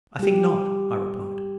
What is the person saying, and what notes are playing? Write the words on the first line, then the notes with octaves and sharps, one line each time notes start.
"I think not," I replied.
G3 G4